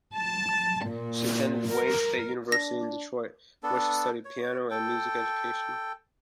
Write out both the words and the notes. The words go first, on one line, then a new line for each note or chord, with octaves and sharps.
She attended Wayne State University in Detroit, where she studied piano and music education.
A5
A#2
A#4
D4 A#6
B3 D4 A4
C#5
A4 G5